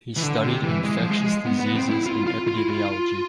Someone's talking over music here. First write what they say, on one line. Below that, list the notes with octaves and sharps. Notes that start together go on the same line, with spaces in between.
He studied infectious diseases and epidemiology.
E3
D3
C3
E3
G#3
F3
G#3
B3
B3
C4
E4
F4
F4
F4
E4
F4